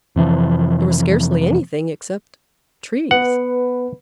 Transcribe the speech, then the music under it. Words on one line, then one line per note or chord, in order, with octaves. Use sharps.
There was scarcely anything except Trees.
F2 C3 E3 F3
B3 B4 F#5